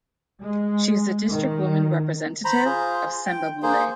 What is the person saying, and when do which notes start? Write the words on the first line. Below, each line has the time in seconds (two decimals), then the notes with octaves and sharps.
She is the district woman representative of Sembabule.
0.41 G#3
1.31 D#3
2.45 C5 A#5 B5
2.65 F4 G#4 C5
3.26 G5
3.63 A#3 G#4 C5